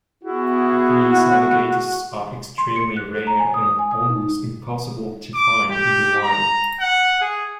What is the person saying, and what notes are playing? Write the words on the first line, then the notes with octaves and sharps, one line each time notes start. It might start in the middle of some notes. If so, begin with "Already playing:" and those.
These alligators are extremely rare and almost impossible to find in the wild.
B3 E4 F#4 G#4
C6
C#7
F#6
A4
A#5
G#5
D#6
G#5
D#6
D#4
D6
G4
A#5
F#5
G#4